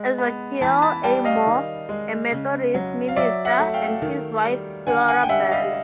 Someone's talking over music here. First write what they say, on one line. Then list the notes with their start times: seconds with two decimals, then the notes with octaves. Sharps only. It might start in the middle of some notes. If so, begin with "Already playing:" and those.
Ezekial A. Moore, a Methodist minister, and his wife, FloraBelle.
Already playing: G#3
0.18 B3
0.61 E3 A5 B5
0.82 A5 B5
1.03 G3 G5 A5
1.25 D#5 F5
1.47 D#3
1.89 G#3
2.32 C#3
2.74 F#3
3.08 F5
3.16 F#3 D5 E5
3.45 E5 F#5
3.59 A3
3.74 F5 G5
4.02 D#3
4.45 G3
4.87 D3 F#5 G#5
5.08 F#5 G#5
5.23 G5
5.29 G3 E5 F#5
5.51 D#5 F5